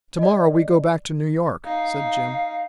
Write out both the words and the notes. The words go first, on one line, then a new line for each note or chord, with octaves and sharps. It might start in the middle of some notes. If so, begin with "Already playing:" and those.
"To-morrow we go back to New York," said Jim.
D5 D#5
D#4 F5